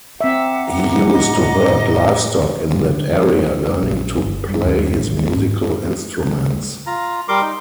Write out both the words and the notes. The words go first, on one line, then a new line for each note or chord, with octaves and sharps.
He used to herd livestock in that area, learning to play his musical instruments.
C4 E5 F#5 A#5 D6
A2 D#5
D3
F3
A#1
G1
G2
D#2
A1
G#3
G#2
F4 A#5
G3 A#4 C6 D6
D#4